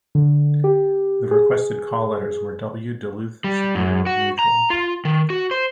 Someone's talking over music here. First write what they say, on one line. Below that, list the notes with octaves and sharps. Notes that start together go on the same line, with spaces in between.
The requested call letters were W Duluth Superior Mutual.
D3
G4
G#4
G3
F#2
F#4
A#5
F4
D#3
F#4
C5